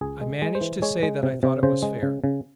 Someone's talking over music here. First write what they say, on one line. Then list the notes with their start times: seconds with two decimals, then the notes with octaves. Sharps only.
I managed to say that I thought it was fair.
0.01 C#2 G#4
0.21 G#3
0.42 G#3
0.55 C5
0.61 E3
0.82 G#3 C#5
1.03 G#3
1.23 C3
1.43 C3
1.63 C#3 C5
1.83 G#3
2.03 C#3
2.24 C#3